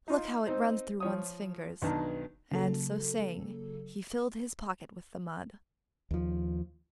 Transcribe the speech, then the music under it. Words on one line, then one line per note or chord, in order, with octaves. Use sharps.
Look how it runs through one's fingers!' and, so saying, he filled his pocket with the mud.
D#4 F4
C4 D#4 C5
F3 C#5 D#6
B1 D#3 B3 D4 A5 A#5
C#3 F#3 A#3 A4
D#2 F3